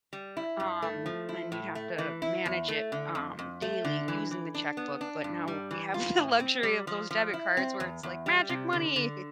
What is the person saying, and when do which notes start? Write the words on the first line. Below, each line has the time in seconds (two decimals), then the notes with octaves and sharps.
um, and you'd have to manage it, um, daily using the checkbook. But now we have the luxury of those debit cards where it's like, magic money
0.13 G3
0.37 E4
0.60 G2
0.82 A3
1.06 F3
1.29 E4
1.52 A2
1.75 A3
1.98 E3
2.22 E4
2.46 E2
2.68 A3
2.92 D3
3.15 F2
3.39 F2
3.62 A3
3.85 D3
4.08 E3
4.31 E3
4.55 D4
4.77 B3
5.01 D4
5.24 G2
5.48 G3
5.71 E3
5.94 F4
6.17 A2
6.40 C4
6.63 G3
6.87 F3
7.11 F3
7.34 E4
7.57 C4
7.80 E2
8.03 E2
8.26 G3
8.49 C3
8.73 D3
8.96 D3